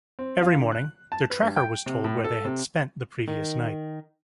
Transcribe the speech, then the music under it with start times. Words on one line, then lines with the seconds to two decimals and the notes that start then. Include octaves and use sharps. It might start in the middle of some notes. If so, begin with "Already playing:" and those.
Every morning, their tracker was told where they had spent the previous night.
0.19 C4
0.42 F4
0.55 D3
0.72 F#6
1.12 A5
1.30 B4
1.42 G2
1.56 G5
1.86 C3
2.04 A2
2.24 A4
2.45 C3
3.28 D#3